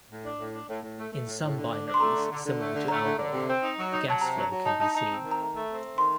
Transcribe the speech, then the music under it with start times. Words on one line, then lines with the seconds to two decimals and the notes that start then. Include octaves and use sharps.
In some binaries similar to Algol, a gas flow can be seen.
0.09 A2
0.24 D4
0.39 A2
0.53 D4
0.69 A2
0.83 A2
0.98 A3
1.13 A3
1.27 A2
1.41 A2
1.57 D3
1.70 D4
1.86 D4
1.94 C6
2.00 A3 A#5
2.16 D3
2.30 D3
2.45 D3
2.60 A3
2.74 D3
2.88 A3 A#5
3.03 D3
3.18 D3
3.32 C3
3.48 C4
3.62 D#4
3.77 F#3
3.91 D#4
4.07 F#3 A5
4.21 C3 A#5
4.36 F#3
4.43 A#5
4.51 F#3
4.66 D#4 A5
4.80 D#4 A5
4.95 D#4 A#5
5.09 C4
5.24 D#3
5.31 A#5
5.39 A3
5.53 A3
5.68 C4
5.83 A3
5.98 D#3 C6